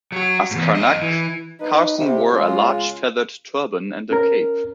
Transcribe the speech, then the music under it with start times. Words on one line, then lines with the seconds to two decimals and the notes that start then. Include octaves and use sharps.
As Carnac, Carson wore a large feathered turban and a cape.
0.12 F#3 F#4
0.51 E2 G#2
0.75 F#2 D#5
1.02 E3
1.60 D#4 B4
1.98 C3 G4
2.30 C#3 G#3 F4
4.11 C#4 A#4